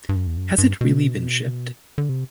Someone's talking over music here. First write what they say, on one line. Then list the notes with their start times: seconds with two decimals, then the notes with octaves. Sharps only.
Has it really been shipped?
0.09 G2
0.16 F#2
0.27 E2
0.37 F#2
0.58 G2
0.81 B2
1.98 D3
2.09 C3